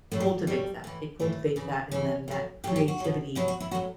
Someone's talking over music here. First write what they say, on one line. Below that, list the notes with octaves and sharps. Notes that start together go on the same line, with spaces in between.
cultivates that. It cultivates that in them, that creativity
A2 F#3 A3
G3
A2 F#3 G3
A2 E3
A2 E3 A3
C#3 E3
C#3 E3 C#4
A2 F#3
A2 F#3 G4
G4
F#4
B2 F#3
B2 F#3 E4
F#4
E4
A2 F#3 F#4